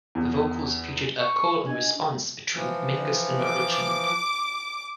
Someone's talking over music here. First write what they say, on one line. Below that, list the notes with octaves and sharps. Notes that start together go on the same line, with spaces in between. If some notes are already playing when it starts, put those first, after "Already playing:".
The vocals featured a call-and-response between Mingus and Richmond.
E2
C#6
D4 D#5 G#5
E3 F3
D6